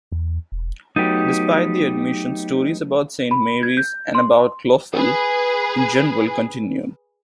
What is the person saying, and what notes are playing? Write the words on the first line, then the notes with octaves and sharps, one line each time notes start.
Despite the admission, stories about Saint Mary's, and about Clophill in general, continued.
E2
E1
F#3 A3 B3 D#4 G4
B5
G#6
G6
C6
G#4 B4